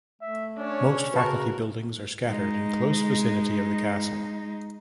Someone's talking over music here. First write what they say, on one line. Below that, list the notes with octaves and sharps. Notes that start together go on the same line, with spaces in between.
Most faculty buildings are scattered in close vicinity of the castle.
A3 E5
C#4 D4 C#5
C#3 F#4 A#4 B4 A5 C#6
G#3 D#4